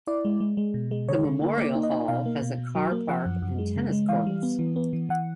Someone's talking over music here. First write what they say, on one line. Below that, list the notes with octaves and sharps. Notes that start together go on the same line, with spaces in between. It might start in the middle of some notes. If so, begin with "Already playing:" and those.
The Memorial Hall has a car park and tennis courts.
E4 D5
G#3
G#3
G#3
B2
G#3
D3 C#5
D3
A#3
A#3 D5
D#4
D#5
D#4
B2 F5
A#3
B2
B2
F#3
A#3
F3 F#5
F#2
F#2
G#3
C#3
G#3
E3 F5
G3
B3
E3
B3
E3
E3 F#5